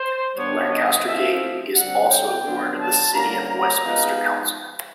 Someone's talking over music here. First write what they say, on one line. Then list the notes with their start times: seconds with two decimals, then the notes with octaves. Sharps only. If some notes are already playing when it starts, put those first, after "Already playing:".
Lancaster Gate is also a ward of the City of Westminster Council.
Already playing: C5
0.35 G2 D#3 G3 B3 D4 C#5
0.71 D#5
1.05 F3 A3 C4 E4 E5
1.74 D3 G3 C4 F#5
2.09 G5
2.44 D3 F#3 B3 D4 F4
2.80 A5
3.13 D3 G3 A#3 C#4 A#5
3.48 A#5
3.83 F3 G#3 B3 D#4